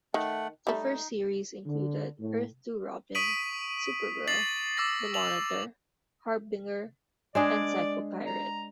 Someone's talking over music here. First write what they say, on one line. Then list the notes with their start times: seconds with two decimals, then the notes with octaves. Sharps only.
The first series included Earth-Two Robin, Supergirl, the Monitor, Harbinger and Psycho-Pirate.
0.14 D#3 A3 F#5
0.67 G3 A3 D#4
1.66 D3
2.19 A2
3.15 C#6 D#6 B6 D7 D#7 F#7
4.27 D6 A6 C7 F7 F#7
4.77 D6 E6 A6 A#6
5.14 F7 F#7
7.35 G#3 D4 G#4 D5
8.26 A#5